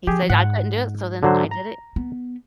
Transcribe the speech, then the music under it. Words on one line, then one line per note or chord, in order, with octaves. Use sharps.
He said I couldn't do it, so then I did it.
F3 G4 G#4
G#2 F#5
D3 F#3 C5
A#5
B3